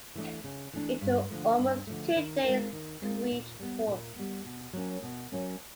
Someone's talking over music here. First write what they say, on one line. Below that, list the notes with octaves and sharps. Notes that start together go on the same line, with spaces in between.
It took almost two days to reach port.
E3 A3 D4
C#3
E3 A3 D4
G2
D3 F3 A3
G2
D3 F3 A3
D#3
G#3 C4 F4 A#4
D#3
G#3 C4 F4 A#4
A#2
G3 B3
A#2
G3 B3
B2
F#3 A#3 C#4
B2
F#3 A#3 C#4